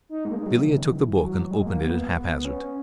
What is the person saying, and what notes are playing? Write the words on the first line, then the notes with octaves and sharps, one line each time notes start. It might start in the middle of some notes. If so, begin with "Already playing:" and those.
Villiers took the book, and opened it at haphazard.
D#4
G#3
A#3
G#3
F#3
E3
C#3
D#3
E3
F#3
F#3
G#3
A#3
B3
B3
C#4